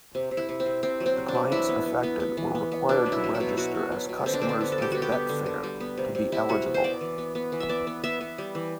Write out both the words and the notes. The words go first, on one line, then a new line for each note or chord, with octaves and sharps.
The clients affected were required to register as customers of Betfair to be eligible.
C3
C3
E4
C3
C4
C3
C3 C4
F#3
C4
C3
D4
F#3
E3 E4
B3
B3
B3
B3
E3
B3
B3
B2 D4
F#3
E4
F#3
E4
B2
B2 F#4
B2
F#3
B2
D3 C4
D4
D3 C4
D4
B3
A4
G3 G4
B3 F#4
G4
B3
D3
D3
G3
B3
C3
C3
G3 E4
C3 F#4
B3
C5
B3 D5
E3
B3
B3
E3
E5
B3 D5
B3
B3 E5
B3
G3
E3